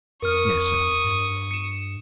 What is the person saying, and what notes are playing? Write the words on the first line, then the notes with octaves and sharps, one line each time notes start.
"Yes, sir."
F2 A#4 C#6 D#6 F6
G2
C#7 E7